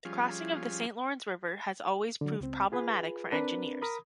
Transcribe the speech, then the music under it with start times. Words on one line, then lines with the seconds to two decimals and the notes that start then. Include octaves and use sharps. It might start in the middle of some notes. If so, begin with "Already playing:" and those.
The crossing of the Saint Lawrence River has always proved problematic for engineers.
0.05 F3 G3 C#4 F4 G#4
2.21 D3 F#3
2.41 C#2 C4
2.72 F4 G#4 B4
3.32 C4 D4 A#4 B4
3.82 A#4 B5 D#6